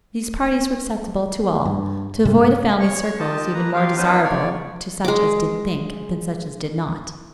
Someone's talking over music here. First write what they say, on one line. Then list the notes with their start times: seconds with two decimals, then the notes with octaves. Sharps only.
These parties were acceptable to all; to avoid a family circle was even more desirable to such as did think, than such as did not.
1.65 G2
2.25 G2 C3 G#3 A#3
2.80 C#5 C#6
3.19 F4 G4 D#5 A5
3.54 A#3 B4 A#5
3.74 F4 G4 A#4 F5
3.97 B3 C#4 D#4 B4 C5
4.23 C#5 D5
5.05 G#3 D6